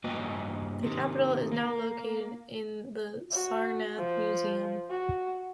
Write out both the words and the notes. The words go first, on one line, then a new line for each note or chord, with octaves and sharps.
The capital is now located in the Sarnath Museum.
G2 A#3 F#4 B4 D#5 G5
C3 D#3
A#3
F#4
F3
F#4